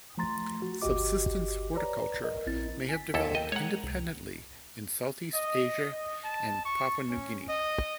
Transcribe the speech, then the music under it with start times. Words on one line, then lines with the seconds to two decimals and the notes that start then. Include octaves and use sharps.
Subsistence horticulture may have developed independently in South East Asia and Papua New Guinea.
0.18 F3 A3 A#5 C6 A6
0.62 F#4
0.82 G1 D2 F#4 G4 D#5 D6
1.75 B4 C#5 D5 A#5
2.24 A#4 D#5
2.46 A#1 C4 E4 A6
2.89 G#5 B6
3.14 D#2 E4 A4
3.35 A#4 D#5 G5
3.52 G#3 C#5 F#5 A#5
3.83 C2
5.33 D#5
5.91 D#5
6.24 A5
6.66 C#6
7.09 C#4
7.49 D#5